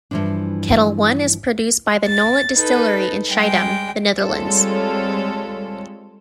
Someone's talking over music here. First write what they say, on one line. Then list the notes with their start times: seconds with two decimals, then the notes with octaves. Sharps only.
Ketel One is produced by the Nolet Distillery in Schiedam, the Netherlands.
0.11 G2 B2 E3 F3 D4
2.07 A6
2.54 D#4 A4 B4
3.31 G3 G#3 G5
4.17 G3 G#3 C4 F4 A4 C#5